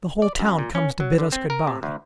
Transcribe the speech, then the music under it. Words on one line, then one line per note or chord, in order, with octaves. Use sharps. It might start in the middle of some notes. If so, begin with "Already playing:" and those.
The whole town comes to bid us good-by.
D5
F#2
A#2
C#4
F#3
D3
C4
A#4
C3
D2